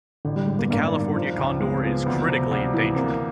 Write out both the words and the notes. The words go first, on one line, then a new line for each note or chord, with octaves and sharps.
The California condor is critically endangered.
A1 D3
G3
A1 G#3
A#3
B3
G2 A#3
D#3
F3
C#2
G#3 B3
C4
F3 B3
D2 B3
C3
D2
E3
A#3 C4